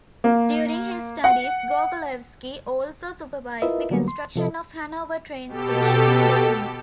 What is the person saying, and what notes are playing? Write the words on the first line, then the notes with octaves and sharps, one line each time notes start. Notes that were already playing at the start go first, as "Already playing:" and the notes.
During his studies, Gorgolewski also supervised the construction of Hanover Train Station in Berlin.
A#3
F#5
E4 F4 A#4 B4 D#5 E5
D3 F#3 G3 A#3 B3
C6
C3 F3 A4 D#5
B2 G4 A4